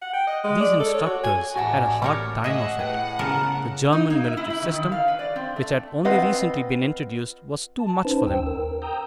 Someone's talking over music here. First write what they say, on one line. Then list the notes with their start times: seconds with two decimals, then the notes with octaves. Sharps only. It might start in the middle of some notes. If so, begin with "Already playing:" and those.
These instructors had a hard time of it; the German military system, which had only recently been introduced, was too much for them.
0.02 F#5
0.14 G5
0.27 D#5
0.44 G#3
0.60 D5
0.80 A4
0.94 C#5
1.06 F#4
1.24 G#5
1.56 A1 F#4 D5 F#5 G#5 A5
2.02 G3 A3 A#4 C#5
2.44 G#4 D#5 E5 F#5
2.79 A2 B4 G5
3.19 C#3 B3 A#4 A5 A#5
3.92 D#4
4.10 A#3
4.24 E5
4.37 E4
4.50 E4
4.62 D#3
4.74 D#3
4.92 F5
5.08 B4
5.19 D5
5.36 C4
5.56 A3
6.05 C4 F4 B4 D#5 F#5
7.79 A5
8.05 C#4 D#4 B4 C5
8.27 D#2 C5 G5 E6
8.47 A#4
8.82 G5 A#5 D#6 E6 G6